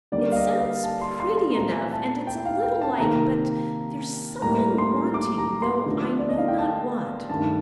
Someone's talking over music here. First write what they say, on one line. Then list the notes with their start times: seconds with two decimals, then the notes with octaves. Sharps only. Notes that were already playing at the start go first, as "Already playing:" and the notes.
"It sounds pretty enough, and it's a little like, but there's something wanting, though I know not what!"
0.12 D3 G3 A#3 D5
0.32 F5
0.36 D#5
0.59 F5
0.83 A5
1.01 C6
1.20 C6
1.37 C6
1.55 A#2 A3 C4 A#5
1.92 A5
2.27 G5
2.45 F5
2.63 G5
2.82 A5
2.98 C3 D#3 A#3 A#5
4.42 A2 G3 A#3 A#5
4.78 C6
5.14 D6
5.38 A#5
5.62 C6
5.86 D3 F3 A3 C4
6.19 D5
6.29 D#5
6.38 F5
6.48 G5
6.58 A5
7.30 G2 D#3 A3 A5